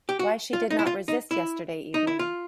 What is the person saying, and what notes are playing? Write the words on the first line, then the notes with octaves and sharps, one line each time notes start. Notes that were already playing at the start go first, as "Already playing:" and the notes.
Why she did not resist yesterday evening?
G4
F#4
F4
D#4
E4
F4
D#4
E4
D#4
E4
F4